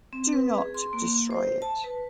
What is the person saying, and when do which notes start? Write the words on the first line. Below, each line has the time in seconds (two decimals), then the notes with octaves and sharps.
Do not destroy it.
0.13 C4
0.33 B4
0.58 G#4
0.74 C6
0.93 A#3
1.31 C5
1.62 A5
1.84 B4